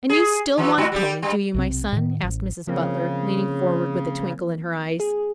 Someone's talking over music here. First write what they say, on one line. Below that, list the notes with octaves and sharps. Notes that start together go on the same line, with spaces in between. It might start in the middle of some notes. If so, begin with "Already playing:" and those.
"And you still want a pony, do you, my son?" asked Mrs. Butler, leaning forward with a twinkle in her eyes.
G#4
E3 F#3
G#2 G3 F#4
G3 G4
G2 G3
B1 C3 C4
A2 D#3
A1
C#3 F3 A#3 C4
G#4